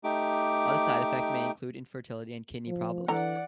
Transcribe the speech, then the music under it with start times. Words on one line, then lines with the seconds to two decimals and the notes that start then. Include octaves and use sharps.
Other side effects may include infertility and kidney problems.
0.04 A3 D#4 G4 D6
2.67 F3
3.08 D3 E3 D5 F#5 A#5